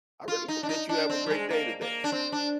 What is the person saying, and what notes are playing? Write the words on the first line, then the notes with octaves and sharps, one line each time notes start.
I really hope that you have a great day today.
F4
D#4
D4
D#4
D4
C4
G3
G#3
A#3
A#3
D4
C4
D4